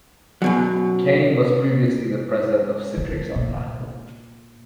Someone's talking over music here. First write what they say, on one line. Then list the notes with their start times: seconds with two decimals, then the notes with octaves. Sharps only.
Caine was previously the president of Citrix Online.
0.42 F#2 B2 F#3
2.97 D2 D3
3.35 A#2